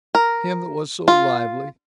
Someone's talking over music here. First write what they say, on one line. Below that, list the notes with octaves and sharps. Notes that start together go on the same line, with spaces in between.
Him that was so lively!
A#4
F4